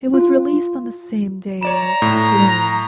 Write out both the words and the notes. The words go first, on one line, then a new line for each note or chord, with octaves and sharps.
It was released on the same day as "Glory".
F4
C#5 D5 A#5 E7
A2